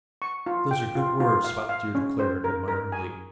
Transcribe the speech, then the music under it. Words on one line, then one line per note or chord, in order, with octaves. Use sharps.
"Those are good words," Spotted Deer declared, admiringly.
C#6
F4
G5
F4
F4
F5
F5
C#4
C5
A#4
A#4
G#5